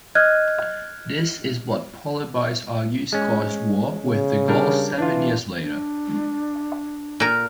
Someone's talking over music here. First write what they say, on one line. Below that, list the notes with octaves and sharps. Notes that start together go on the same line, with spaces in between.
This is what Polybius argues caused war with the Gauls seven years later.
D#5 F6 F#6 G#6
G#3 C#4
C#3
G3 D4 A#4
E3 D4 F4
D4
A#2 A#4